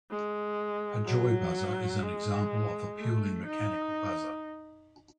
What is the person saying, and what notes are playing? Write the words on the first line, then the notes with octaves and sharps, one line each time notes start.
A joy buzzer is an example of a purely mechanical buzzer.
G#3
F#3
G#3
A3
D#4